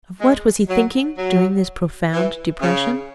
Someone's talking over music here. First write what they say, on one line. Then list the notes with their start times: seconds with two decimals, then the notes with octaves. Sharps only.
Of what was he thinking during this profound depression?
0.19 G#3
0.68 F#3
1.16 F#3
2.12 E3
2.60 C#3